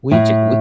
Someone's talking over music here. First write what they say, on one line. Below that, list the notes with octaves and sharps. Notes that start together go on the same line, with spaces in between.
We ju we
A2